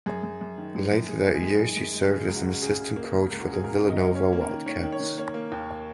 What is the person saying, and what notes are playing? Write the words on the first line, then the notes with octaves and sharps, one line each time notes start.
Later that year she served as an assistant coach for the Villanova Wildcats.
F#2 G#4
F#2
F#2
D#3
F#2
F#2
F#2 G#4
G#3
G#4
F#2
D#3 G#4
F#2
G#3
C#3 G#4
C#2
F#4
C#4
C#3 G#4
C#3
A#3
C#3
C#2
F#4
C#4
G#4
C#2 A#4
C#3
D#5
C#4
C#4 C#5
A#3
A#4
D#3
D#3 C#5
D#3
C#5
D#3
A#3 C#5
A#3
D#2